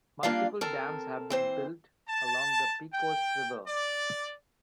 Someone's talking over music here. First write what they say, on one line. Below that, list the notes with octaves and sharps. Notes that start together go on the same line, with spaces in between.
Multiple dams have been built along the Pecos River.
G3 A#3 D4 F4 D5 F5
C4 A4 A#4
E3 C4 C5
A5
G5
D5